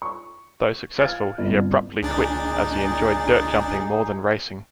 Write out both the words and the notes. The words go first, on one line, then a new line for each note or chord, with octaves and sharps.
Though successful, he abruptly quit, as he enjoyed dirt jumping more than racing.
C#6
F5 F6 G#6 A6
G1 C2
C#2 A#2 D4 D#4 G#4 A6